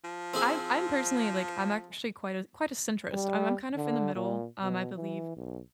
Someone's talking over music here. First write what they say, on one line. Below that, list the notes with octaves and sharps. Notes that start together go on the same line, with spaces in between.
I'm I'm personally like I'm actually quite a quite a centrist, and I'm kind of in the middle, um, I believe
F3
C4 E4 G#4
G3
D3
A#2
B2
E3
B1